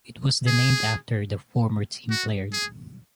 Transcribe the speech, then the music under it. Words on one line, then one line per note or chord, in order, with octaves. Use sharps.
It was the named after the former team player.
G#4
F#4
G#4